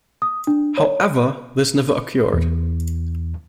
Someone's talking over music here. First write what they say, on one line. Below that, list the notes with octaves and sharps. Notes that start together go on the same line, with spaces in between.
However, this never occurred.
D#6
D4
C#5
E2